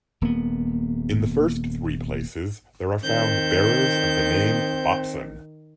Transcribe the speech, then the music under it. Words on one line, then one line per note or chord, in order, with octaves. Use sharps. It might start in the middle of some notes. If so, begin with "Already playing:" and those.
In the first three places, there are found bearers of the name Botzon.
D#1 A#3 B3
D#3 C4 G6